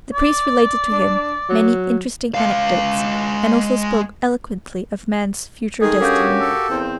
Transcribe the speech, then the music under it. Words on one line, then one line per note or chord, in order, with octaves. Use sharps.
The priest related to him many interesting anecdotes, and also spoke eloquently of man's future destiny.
D5
D4
F#3
G#3 F5
D#3 G#3 G#4 A4
G2 C#4 F#4 G4 A#4 F5 G6
A4
E2 C4